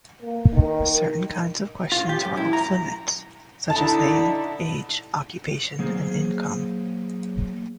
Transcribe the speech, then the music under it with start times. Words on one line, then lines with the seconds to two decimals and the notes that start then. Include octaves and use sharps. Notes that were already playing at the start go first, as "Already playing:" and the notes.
Certain kinds of questions were "off-limits", such as name, age, occupation, and income.
0.22 A#3
0.53 D#3
1.92 F4
2.09 G4
2.25 F#2
2.37 E4
2.53 A#5
3.70 D3 D#4 E4 A5
5.79 F#3 A#3 G#4 C5